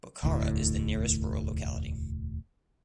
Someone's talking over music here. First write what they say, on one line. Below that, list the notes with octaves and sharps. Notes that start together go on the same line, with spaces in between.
Bukhara is the nearest rural locality.
E1 D2 A2